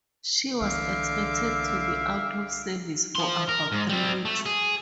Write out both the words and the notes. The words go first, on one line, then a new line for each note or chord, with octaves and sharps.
She was expected to be out of service for about three weeks.
C2 D3 E3 E5 F5 D6
F3 C6
A#4
G#2
G3 C4
A3
G#4